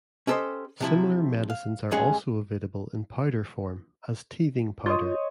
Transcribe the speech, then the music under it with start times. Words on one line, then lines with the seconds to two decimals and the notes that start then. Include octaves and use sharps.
Similar medicines are also available in powder form, as "teething powder".
0.27 C#4 G4 A4 B4 C5 D#5
0.81 C3 F3 E4
1.50 F5
1.91 G2 D#3 G#3 C#4 G#4 F#5
4.86 F4 C5 C#5 D#5